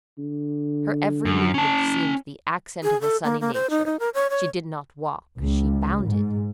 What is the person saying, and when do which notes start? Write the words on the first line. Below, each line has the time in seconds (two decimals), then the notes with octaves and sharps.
Her every movement seemed the accent of a sunny nature; she did not walk--she bounded.
0.18 D3
1.25 F#2
1.54 C#4 A5
2.83 G#4
3.01 A4
3.24 A#3
3.41 A#3
3.54 C5
3.70 D#4
3.85 D#4
4.00 A#4
4.14 C#5
4.30 C#5
5.38 C#2
6.05 G#2